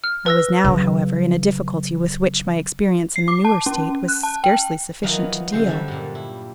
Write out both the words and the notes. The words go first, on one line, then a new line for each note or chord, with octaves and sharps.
I was now, however, in a difficulty with which my experience in the newer state was scarcely sufficient to deal.
F6
B4 E6 A#6
C#3 F#3
C7
D6
A5
C#4
F#6
A5
G5
D#3 E3 F#3 F4 B4 D#5
C#3 E3 G#3 C5
D3 G3 E5
G2 A#2
E4